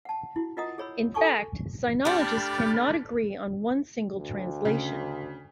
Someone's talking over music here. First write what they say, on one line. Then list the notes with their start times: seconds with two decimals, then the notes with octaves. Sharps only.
In fact, Sinologists cannot agree on one single translation.
0.05 F#5 A5
0.36 E4 F#4
0.57 F4 A#4 D#5 F#5 A#5 D#6
0.78 G#4 C#5 B5 E6
1.14 F#4 A4 G#5 A5 C#6 D6
2.05 A3 D4 G4 B5 F6 A6
4.14 D2
4.65 C#3